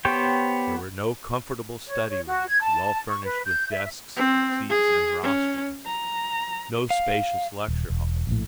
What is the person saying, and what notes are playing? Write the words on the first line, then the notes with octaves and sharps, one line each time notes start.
There were no comfortable study rooms, well furnished with desks, seats, and rostrums: no spacious lecture halls.
B3 G4 C5 C#5 G5
C#5
C#5
F#4
G#6
A5
C#6
B4
G6
E5
C4
G#4
C#4
A#5
F5
D#1
E1
A#1 A2